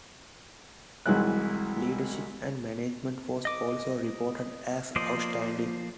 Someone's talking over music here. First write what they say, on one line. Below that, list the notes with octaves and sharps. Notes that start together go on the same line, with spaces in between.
Leadership and management was also reported as 'Outstanding'.
C2 E3 F#3 G#3 F#6
D#5 D6
F3 A#3 C5 D5 D#5